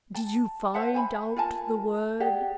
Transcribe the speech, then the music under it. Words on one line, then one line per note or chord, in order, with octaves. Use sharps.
"Did you find out the word?"
A5
C5 E5 F#5 A5
C5 G#5 A5 B5
F4 A#4 G#5 A5
G4 G#4 D5 F#5